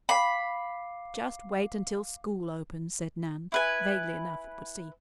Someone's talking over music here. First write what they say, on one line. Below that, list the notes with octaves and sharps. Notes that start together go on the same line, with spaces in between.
"Just wait until school opens," said Nan--vaguely enough, it would seem.
F5 B5 D6 C7
E4 B4 G#5